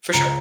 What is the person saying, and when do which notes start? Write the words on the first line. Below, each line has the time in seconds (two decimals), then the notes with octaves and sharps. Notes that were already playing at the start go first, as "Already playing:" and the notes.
For sure.
0.13 C#2 A#5